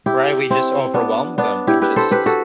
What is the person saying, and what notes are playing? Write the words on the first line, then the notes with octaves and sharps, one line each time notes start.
Right, we just overwhelmed them, we just
E4 G4
C4 E4
B3 D4
B3 D4
E4 G4
G4 B4
A4 C5
G4 B4
F#4 A4